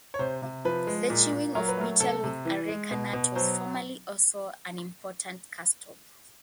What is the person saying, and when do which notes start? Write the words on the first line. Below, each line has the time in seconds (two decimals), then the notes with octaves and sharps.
The chewing of betel with areca nut was formerly also an important custom.
0.14 C#5
0.19 C3 C5
0.42 C3
0.65 F3 B4
0.87 G#3
1.10 A#2
1.33 A#2
1.55 F#3 A#4
1.69 B4
1.78 A3 A#4
2.00 C3 A4
2.24 C3
2.45 E3
2.69 G#3
2.91 B2
3.13 B2
3.35 F#3 C5